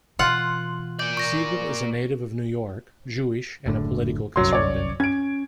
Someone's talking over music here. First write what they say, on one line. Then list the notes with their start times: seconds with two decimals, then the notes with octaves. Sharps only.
Siegel is a native of New York, Jewish and a political conservative.
0.19 B2 E3 F4 F#5 C6
0.99 A#3 D5 G6
1.17 C#6 A#6
3.66 F#1 A2 D3
4.36 G1 C2 F#2 F#3 C6
4.53 C#5 D5
5.00 C#4 G#6 D7